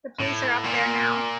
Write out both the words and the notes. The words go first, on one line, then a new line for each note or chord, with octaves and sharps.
The police are up there now.
A2
A#2